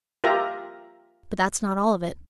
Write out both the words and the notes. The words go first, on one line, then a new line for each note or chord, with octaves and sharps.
But that's not all of it.
F4 G4 A#4 E5 A#5